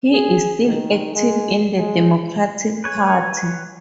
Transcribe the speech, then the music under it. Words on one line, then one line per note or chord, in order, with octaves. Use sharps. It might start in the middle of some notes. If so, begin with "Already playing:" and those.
He is still active in the Democratic Party.
G#4
D#3
G#3
G#3
B4 C#5 G#5